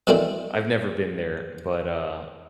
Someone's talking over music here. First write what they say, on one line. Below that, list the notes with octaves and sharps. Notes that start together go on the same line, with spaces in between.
I've never been there, but, uh,
B2 E3 A3 A#3 C4 D4